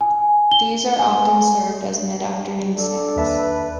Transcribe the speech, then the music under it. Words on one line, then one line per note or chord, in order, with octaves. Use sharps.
These are often served as mid-afternoon snacks.
G#5
G7
G#5
D4 A4
D#2 B4 E5 A5